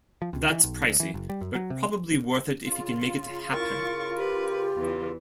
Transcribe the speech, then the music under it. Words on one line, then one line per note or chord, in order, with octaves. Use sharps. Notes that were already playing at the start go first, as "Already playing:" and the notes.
That's pricey, but probably worth it if he can make it happen.
F3
C#2
E3
B1
D2
E3
F#1
G3
F#2
F#3
C3
C#3 F4
E4 A#4 C#6 A6
G4 B4
E2 E3